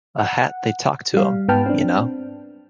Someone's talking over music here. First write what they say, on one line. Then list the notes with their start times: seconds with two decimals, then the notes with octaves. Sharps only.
A hat they talk to 'em, you know.
0.18 F#5
1.14 G3 F5
1.48 G#2 B3 B4 G5 A5 F6
1.66 C4 D4